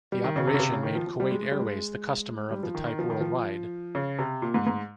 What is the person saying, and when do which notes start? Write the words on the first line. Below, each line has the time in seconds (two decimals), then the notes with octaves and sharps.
The operation made Kuwait Airways the customer of the type worldwide.
0.12 G3
0.24 D#3
0.36 C#3
0.47 C3
0.54 C#3
0.59 C3
0.72 C#3
0.83 D#3
0.95 F3
1.07 F3
1.20 G3
1.31 G#3
1.43 G#3
1.51 G3
1.60 G#3
2.51 G3
2.63 F3
2.75 D#3
2.86 D#3
2.99 F3
3.10 D#3
3.20 F3
3.95 C#3
4.19 C3
4.42 A#2
4.54 G#2
4.67 G#2